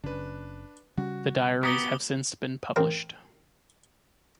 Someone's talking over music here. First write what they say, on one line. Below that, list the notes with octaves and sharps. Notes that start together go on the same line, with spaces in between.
The diaries have since been published.
F#1 C#3 D4 B4
C#3 G3 C#4 F#4
B3 F#4 G4 A#5 D6 D#6 A#6 G7
A1 C4 A#4